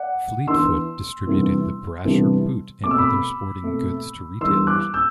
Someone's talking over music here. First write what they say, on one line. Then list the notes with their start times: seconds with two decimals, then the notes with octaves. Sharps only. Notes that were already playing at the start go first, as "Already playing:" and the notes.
Fleetfoot distributed The Brasher Boot and other sporting goods to retailers.
Already playing: D5 F#5
0.47 E3 B3 D4 C6 E6
1.27 C3 E3 G3 B3 D4
2.05 C3 E3 G3 B3 D4
2.84 B2 A3 C4 D6
2.91 E6
2.98 B5 D6
3.62 B2 A3 C4
4.41 E3 G3 B3 D4 C6 E6
4.67 D6 F#6
4.94 E6 G6